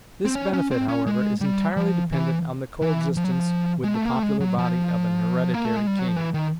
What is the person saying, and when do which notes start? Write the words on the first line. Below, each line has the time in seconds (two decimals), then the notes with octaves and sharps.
This benefit, however, is entirely dependent on the coexistence with the popular body of an hereditary king.
0.25 C4
0.35 C#4
0.53 C#4
0.71 C4
0.88 C#4
1.06 G#3
1.41 G3
1.77 F3
2.12 E3
2.82 E3
3.17 F3
3.24 F#3
3.32 F3
3.84 G#3
3.94 A3
4.05 A#3
4.16 A3
4.23 G#3
4.40 F#3
4.58 F3
5.54 A#3
5.65 A3
5.76 G#3
5.87 G3
5.99 F#3
6.08 F3
6.16 E3
6.34 D#3